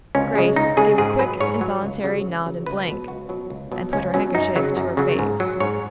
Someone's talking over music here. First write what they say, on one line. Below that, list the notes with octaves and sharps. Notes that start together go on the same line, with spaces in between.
Grace gave a quick, involuntary nod and blink, and put her handkerchief to her face.
C#2 C#4
C#3 G#3
C#2 D#4
C#3 G#3 G#4
G#2 G#4
F#3 B4
G#2 C#5
F#3
C#2
C#3 F#3
C#2
C#3 F#3
C#2 B4
B2 F#3
C#2 F#4
B2 F#3
C#2
B2 F#3
C#2 C#4
B2 F#3 C#4
F#2 D#4
C#3 F#3
F#2
C#3 F#3
G#2
F#3
G#2 C#5